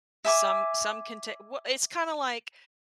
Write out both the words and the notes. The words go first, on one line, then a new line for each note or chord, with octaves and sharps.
some some can ta well, it's kinda like,
E5 G#5 D6